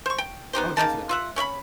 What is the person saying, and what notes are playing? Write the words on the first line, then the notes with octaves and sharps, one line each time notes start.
Oh, definitely.
C5 C#6
G5
B3 D#4 G4 C5
C#3 A#3 D#4 A5
F4 E5 F#5
C#4 C#5 E5 B5